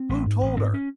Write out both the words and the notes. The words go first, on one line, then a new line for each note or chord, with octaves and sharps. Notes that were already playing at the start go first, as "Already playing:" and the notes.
"Who told her?"
Already playing: C4
A1
G#2
A1
G#2 C4
C#4